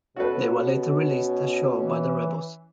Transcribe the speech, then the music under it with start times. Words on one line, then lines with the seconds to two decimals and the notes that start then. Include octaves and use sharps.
They were later released ashore by the rebels.
0.16 B2 C#4 F#4 A4 B4
1.78 E3